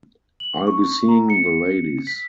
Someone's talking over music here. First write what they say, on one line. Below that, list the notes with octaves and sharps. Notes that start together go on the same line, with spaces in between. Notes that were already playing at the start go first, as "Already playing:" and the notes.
I'll be seeing the ladies.
F#7
C#6
A#5
C#7
B6